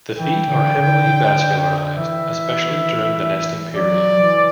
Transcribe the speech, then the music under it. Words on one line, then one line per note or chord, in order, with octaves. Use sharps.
The feet are heavily vascularized, especially during the nesting period.
E3 G5
D3
D3
D3
E3 E5
F#3 D5
E3